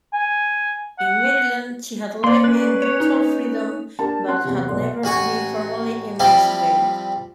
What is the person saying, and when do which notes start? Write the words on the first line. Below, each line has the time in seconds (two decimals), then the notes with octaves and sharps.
In Maryland, she had lived in virtual freedom but had never been formally emancipated.
0.13 G#5
0.99 F#5
2.24 A#3 D5 C6
2.44 C#4 B4
2.82 C#5
3.00 D#4
3.99 D4 G4 A#4 A5
4.28 C#4 F#5 C6 F#6
4.44 E2 C3
4.68 B1 B3 D5 C6
5.04 A1 F#4 G#5 C#6
6.20 F3 G3 C4 E4 F4